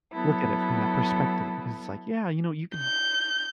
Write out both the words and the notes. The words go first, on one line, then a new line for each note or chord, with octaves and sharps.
look at it from that perspective because it's like, "Yeah, you know, you could
F#3 B3 E4 A4
G6